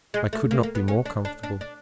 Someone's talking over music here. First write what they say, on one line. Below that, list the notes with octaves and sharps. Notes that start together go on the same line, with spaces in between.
"I could not be more comfortable."
G#3
A3
A#3
A#3
B3
C#4
D4
D4
D4
D4